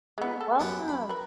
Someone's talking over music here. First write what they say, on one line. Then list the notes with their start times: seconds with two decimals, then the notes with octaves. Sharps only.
You're welcome.
0.18 G#3 B3
0.41 A4
0.60 F#2 B3 G4
0.88 B5
1.09 A#4 B4